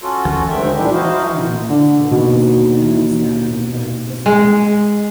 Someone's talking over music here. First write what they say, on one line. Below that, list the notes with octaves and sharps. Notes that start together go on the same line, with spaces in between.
A new primary school was then established at the site.
C#4 F4 F#4 A4
D2 D#3 G#3 E5 G5
A#2 G3 G#3 D4
D#4 E4 F#4 C5 D#5 F5
D3
D#2 B2
G#3